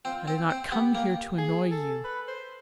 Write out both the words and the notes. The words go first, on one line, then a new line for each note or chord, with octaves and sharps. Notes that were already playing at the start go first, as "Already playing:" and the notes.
I did not come here to annoy you.
C4 F4
C4
C4
B3 G4
A#3
G#4
A4
B4
C5